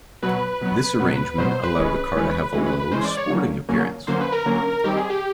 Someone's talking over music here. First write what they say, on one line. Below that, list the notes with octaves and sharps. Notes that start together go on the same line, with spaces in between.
This arrangement allowed the car to have a low, sporting appearance.
B2 F#3 B3 B4
B2 F#3 B3
B2 F#3 B3
B2 F#3 B3 C5
C5
B4
E3 G#3 C#4
E3 G#3 C#4
E3 G#3 C#4
B4
B4
E3 G#3 C#4 C5
D5
C#5
D3 F#3 A#3 C#4
D3 F#3 A#3 C#4
D3 F#3 A#3 C#4 C5
B4
A#4
D3 F#3 A#3 C#4
D#3 G3 C4 G4
G#4
G4